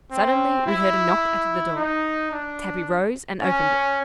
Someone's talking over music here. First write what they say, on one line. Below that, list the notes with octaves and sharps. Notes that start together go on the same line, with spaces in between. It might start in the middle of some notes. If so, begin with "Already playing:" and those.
Suddenly we heard a knock at the door; Tabby rose and opened it.
C4
E4
D#4
D4
C#4